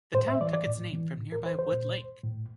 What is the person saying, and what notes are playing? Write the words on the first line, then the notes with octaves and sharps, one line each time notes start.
The town took its name from nearby Wood Lake.
A2 C5
E5
E3 D5
D5
A2
E3
A2
A#4
E3 C5
C5
A#2
A2